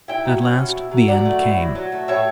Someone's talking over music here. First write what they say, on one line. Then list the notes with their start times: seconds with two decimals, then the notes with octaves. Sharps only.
At last the end came.
0.08 E4 E5 G5
0.25 F#3
0.42 C#4
0.59 B2
0.76 E4
0.91 F#3
1.08 F#3 D5 F#5
1.25 A3
1.42 E4
1.58 F#3
1.75 F#3
1.92 A3
2.08 A2 C#5 E5